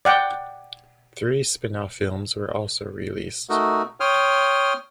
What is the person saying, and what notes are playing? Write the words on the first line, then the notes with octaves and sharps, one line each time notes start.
Three spin-off films were also released.
D5 F#5 G5
A3 D#4 F#4 A#4
C#5 G5 C6 D#6 F6